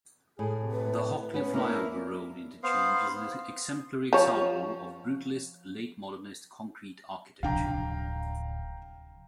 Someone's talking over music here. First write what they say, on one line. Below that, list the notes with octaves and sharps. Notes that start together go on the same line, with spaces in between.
The "Hockley flyover" road interchange is an exemplary example of brutalist late-modernist concrete architecture.
A2 G#4
C3
B4
B3 C#4
A#3 C#4 D4 E4 A#4
B3 C5 F5
F3 C#5
D1 C3 F3 D4 F5 G5 A#5